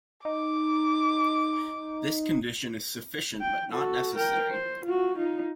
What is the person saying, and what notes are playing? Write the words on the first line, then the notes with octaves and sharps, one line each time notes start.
This condition is sufficient but not necessary.
D#4 D6
G5
F#4 A4
A#4 G5
C5
F4 F#4
D#4 F4